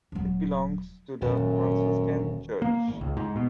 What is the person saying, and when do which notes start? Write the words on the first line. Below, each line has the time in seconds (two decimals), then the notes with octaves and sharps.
It belongs to the Franciscan church.
0.12 D#1 F#3
1.21 D#1 F#2
2.62 A#3
2.88 G#1
3.01 C#2
3.17 G#2
3.36 B2